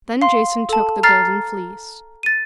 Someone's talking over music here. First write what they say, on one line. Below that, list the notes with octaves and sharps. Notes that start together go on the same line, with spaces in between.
Then Jason took the Golden Fleece.
F5 C6
A4 A5
A#5 F6 A6 C7
A6 D#7